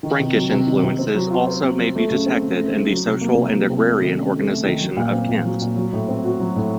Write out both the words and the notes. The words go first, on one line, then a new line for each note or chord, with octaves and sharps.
Frankish influences also may be detected in the social and agrarian organization of Kent.
D#3
C3
F#3
C3
D#3
C3
C4
F#3
F4
C5
C4
F#3
A3
C#3
C4
C#3
A3
C#3
F#3
C3
A#3
C3
F#3
C3
A3
D#3
C#4
A4
A3
D#3
F#3
A#2
C4
A#2
F#3
A#2
F#3
A2
C4
F#4
F#3
A2